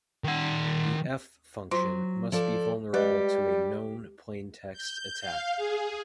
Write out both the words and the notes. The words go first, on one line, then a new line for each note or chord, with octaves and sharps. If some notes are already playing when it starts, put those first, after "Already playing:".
The "F" function must be vulnerable to a known-plaintext attack.
D#3 F#5
F#3 F4 C5 C6
F3 A4 D5
G3 G#3 G4 B4 D#5
G6
F5
G#4